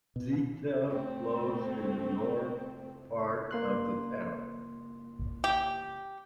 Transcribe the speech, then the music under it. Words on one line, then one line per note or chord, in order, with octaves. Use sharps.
Ziethe flows in the north part of the town.
B2
A3 C4
A#3 C6 F#6
G4